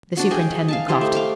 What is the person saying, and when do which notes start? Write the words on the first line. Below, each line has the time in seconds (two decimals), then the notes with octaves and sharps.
The superintendent coughed.
0.17 D4 F#4
0.31 G#4 D#5 G5 G#5
0.68 F5 G#5 A5
0.88 E4 G4 C5 D#5
1.01 A3
1.15 F5 C6 D6